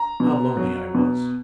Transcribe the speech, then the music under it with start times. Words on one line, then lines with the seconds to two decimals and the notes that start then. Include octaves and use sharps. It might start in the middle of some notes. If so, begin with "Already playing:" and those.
How lonely I was!
Already playing: A#5
0.20 B2
0.57 F#3
0.95 B2